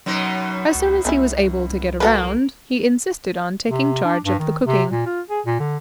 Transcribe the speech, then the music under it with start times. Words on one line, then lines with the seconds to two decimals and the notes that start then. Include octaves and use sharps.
As soon as he was able to get around he insisted on taking charge of the cooking.
0.06 F#2 B2 F#3 D#4
0.75 C#2
1.05 C2 B3 C#4 E4
2.00 A#3 F#4 A4 B4
3.69 C3
4.05 D4
4.24 G2
4.39 D#3
4.65 C3
4.91 A#2
5.06 F4
5.30 G#4
5.46 A#2
5.60 D3